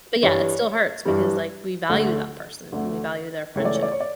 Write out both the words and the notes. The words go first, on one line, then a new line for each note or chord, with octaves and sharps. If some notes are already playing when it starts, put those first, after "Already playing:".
But yeah, it still hurts because, like, we value that person and we value their friendship.
G2 E3 G3 C#5
G2 E3 G3
D2 D3 A3
D2 D3 A3
C#2 C#3 E3 A3 C#5
D5
C#5
D5
C#5
D5